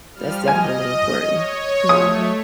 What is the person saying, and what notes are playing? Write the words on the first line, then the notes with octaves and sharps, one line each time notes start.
That's definitely important. Mhm.
F3 G3 F6
D#5 G#5
C#5
A3 D#6